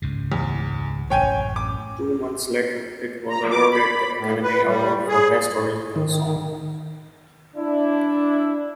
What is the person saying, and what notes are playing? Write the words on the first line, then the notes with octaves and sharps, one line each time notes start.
Two months later, it was awarded the Academy Award for Best Original Song.
C#2 G#2 C#3
E2
A1 F#2 C#5 G5 G#5
D6
A#5
D6
B5
A2
B4
G3
G#4
D#3
D4 E4